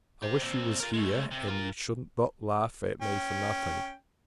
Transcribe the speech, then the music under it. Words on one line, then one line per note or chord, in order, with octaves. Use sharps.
I wish you was here, and you should not laugh at me for nothing.
G4 C5
A#2 C4
F4 A#4
G#3 A3
C3
F4 A#4
C#4 G5